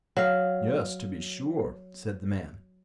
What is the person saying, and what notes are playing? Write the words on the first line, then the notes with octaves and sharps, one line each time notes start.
'Yes, to be sure', said the man.
F#3 F5